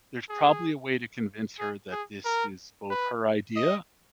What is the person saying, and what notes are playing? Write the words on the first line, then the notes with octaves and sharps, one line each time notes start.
there's probably a way to convince her that this is both her idea
G#4
G#4
G#4
A#4
B4
D#5